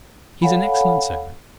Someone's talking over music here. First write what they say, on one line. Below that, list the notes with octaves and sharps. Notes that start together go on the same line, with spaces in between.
He's an excellent servant.
A4 C#5 F5 F#5 G#5 B5